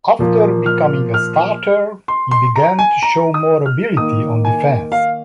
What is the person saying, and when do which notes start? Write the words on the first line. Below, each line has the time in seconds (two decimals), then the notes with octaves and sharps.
After becoming a starter, he began to show more ability on defense.
0.19 A#2 F3 A#3
0.66 F6
1.14 F6
2.08 C6
2.31 C6
2.56 A#5
2.79 G#5
3.02 A#5
3.34 D#6
3.66 F6
3.97 D#3 A#3 D#6
4.45 G#5
4.92 F5